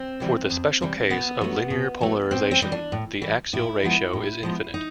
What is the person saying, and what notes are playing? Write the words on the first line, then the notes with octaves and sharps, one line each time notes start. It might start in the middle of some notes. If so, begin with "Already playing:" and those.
For the special case of linear polarization, the axial ratio is infinite.
Already playing: C4
C3 E3 G3
F2
C3 E3 G3
B2 B3
F#3 A3
B2
F#3 A3
A2 C4
C4
E3 G3 D#4
D4
A2
E3 G3
A2 E4
F3 G#3 B3
A2
F3 G#3 B3
D#4